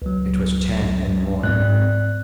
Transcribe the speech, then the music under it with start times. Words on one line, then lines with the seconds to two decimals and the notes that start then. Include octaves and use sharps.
It was ten in the morning.
0.02 C#2 F#3
1.44 G#2 C4 D5 F#6